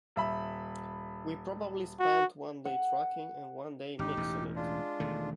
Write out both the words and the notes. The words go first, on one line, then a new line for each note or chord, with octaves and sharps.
We probably spent one day tracking and one day mixing it.
D#1 E5 B5
F#4
F#5
G#1 D#4 G4
E1 A1 E2
G#3 D4 F4
E1 D#3 A3